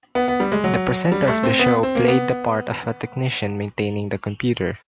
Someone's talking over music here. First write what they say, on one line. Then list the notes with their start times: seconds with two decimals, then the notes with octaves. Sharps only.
The presenter of the show played the part of a technician maintaining the computer.
0.15 B3
0.28 B3
0.40 G3
0.52 G#3
0.64 F#3
1.12 G3
1.28 A3
1.43 C4
1.59 B3
1.83 C4
1.95 A#3
2.08 B3